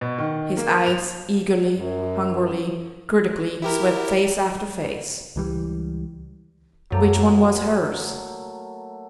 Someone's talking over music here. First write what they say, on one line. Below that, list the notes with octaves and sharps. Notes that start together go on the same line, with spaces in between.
His eyes, eagerly, hungrily, critically, swept face after face. Which one was hers?
B2
D#3
A#3
F7
F#2
E4 G4 A#4
C#2 E3 G3
C2 F#2 F#3 A3 A#3